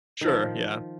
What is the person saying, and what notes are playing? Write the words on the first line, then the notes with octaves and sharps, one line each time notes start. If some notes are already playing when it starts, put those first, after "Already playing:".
Sure, yeah.
D#3 F3